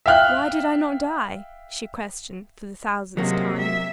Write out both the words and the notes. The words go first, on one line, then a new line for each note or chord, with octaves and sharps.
"Why did I not die?" she questioned, for the thousandth time.
E5 F5 G5 F6 F#6
C3 F#3 G#3 A#3 F#4
E5